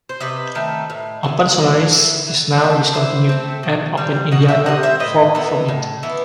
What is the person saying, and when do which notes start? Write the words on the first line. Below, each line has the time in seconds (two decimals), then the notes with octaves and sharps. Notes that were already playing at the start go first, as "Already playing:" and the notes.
OpenSolaris is now discontinued and OpenIndiana forked from it.
0.09 C5
0.20 C3 B4 D#5
0.55 D#3 A3 C4
0.90 A2
1.23 E3 B3
1.58 A2
1.92 E3 B3
2.26 E3
2.60 A3 C4
2.95 E3 C5 E5
3.29 A3 C4
3.63 B2
3.97 G3 C4
4.31 B2 D#5 F#5
4.49 E5 G5
4.66 G3 C4 D#5 F#5
4.83 C5 E5
5.00 A2 B4 D#5
5.35 E3 B3
5.68 A2
6.03 E3 B3